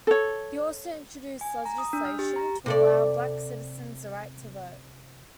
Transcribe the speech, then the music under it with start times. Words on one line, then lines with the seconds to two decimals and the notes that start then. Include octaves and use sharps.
He also introduced legislation to allow black citizens the right to vote.
0.07 A4 C#5
1.41 G#5
1.65 A#5
1.78 D#6
1.93 D4
2.05 F6
2.19 G4
2.36 A#5
2.66 C3 A4 D5